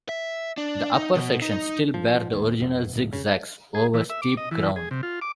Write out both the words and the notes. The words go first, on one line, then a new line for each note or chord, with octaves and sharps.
The upper sections still bear the original zig-zags over steep ground.
E5
D4
D#4
B2
D#4
F3
D#2
F1
D1
C#3
G#4
E3
E5
D6
D#5
E3
G#4
C3
F4
D6